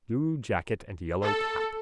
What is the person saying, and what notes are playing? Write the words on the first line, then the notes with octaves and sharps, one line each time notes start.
Blue jacket and yellow cap.
A4